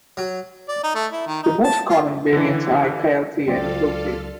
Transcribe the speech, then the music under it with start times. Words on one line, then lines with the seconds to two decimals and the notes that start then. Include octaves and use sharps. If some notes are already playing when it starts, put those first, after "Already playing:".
The most common variants are Kielty and Quilty.
0.17 F#3
0.68 D5
0.83 D#4
0.95 A3
1.12 E4
1.27 D#3
1.43 D#4
1.64 A5
1.89 F4
2.33 D3 E3
3.48 C#2 F#3 C4 F4 A4 D5 F5